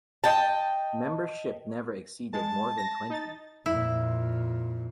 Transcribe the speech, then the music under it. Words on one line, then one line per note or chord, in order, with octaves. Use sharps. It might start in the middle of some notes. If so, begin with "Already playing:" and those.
Membership never exceeded more than twenty.
D#5 G5 A5
G#3 A5
A#6
D#4 A6
F2 A#2 E4